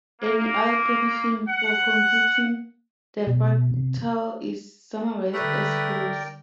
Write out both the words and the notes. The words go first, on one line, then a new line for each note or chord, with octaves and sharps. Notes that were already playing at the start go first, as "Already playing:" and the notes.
An algorithm, for computing the fractal is summarized as follows.
A#3
F#5
B2
C3
D3 G3 A3 A#4 B4 D5 G5